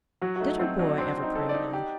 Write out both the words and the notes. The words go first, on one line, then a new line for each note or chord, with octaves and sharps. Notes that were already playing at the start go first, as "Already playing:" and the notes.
Did her boy ever pray now?
F#3 F#4
F#4
A3 D#4
F#3 C4
F#3 D4
C4 D4
C4
D#4
A4
D5
D#4
G4